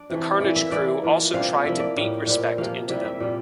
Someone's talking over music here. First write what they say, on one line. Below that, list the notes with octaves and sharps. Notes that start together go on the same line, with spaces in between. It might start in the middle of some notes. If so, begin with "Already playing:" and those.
The Carnage Crew also tried to beat respect into them.
Already playing: D4 D5
C3 E3 A3
E3 A#3 E4 D5
E5
E3 A#3 E4 D5
E3 A#3 F4
C3 G3 D4 F4 F5
F3 A#3 E4 E5
D5
A2 G3 A#3
A#2 G3 C4
C3 F3 A#3 F5
C3 G3 A#3 E4 E5
E5
A#2 G3 A#3 F4